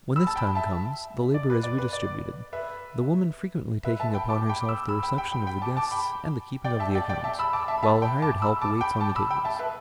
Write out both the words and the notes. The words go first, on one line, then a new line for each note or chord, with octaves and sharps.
When this time comes, the labor is redistributed, the woman frequently taking upon herself the reception of the guests and the keeping of the accounts, while the hired help waits on the tables.
B5 E6
A5
G5 B5
E5 A5
D5
B4
D5
B4
D5
B4 E5
B4 E5
E5 A5
G5 B5
A5 D6
G5 B5
D6
B5 E6
B5 E6
G5 B5
G5 B5
G5 B5
G5 B5
A5 D6
A5 D6
G5 B5
D5 G5
E5 A5
D5 G5
D5 G5
E5 A5
B5 E6
A5 D6
E5 A5
B5
E5 A5
G5 B5
A5 D6
B5 E6
A5 D6
G5 B5
A5 D6
B5 E6
G5 B5
E5 A5
B4 E5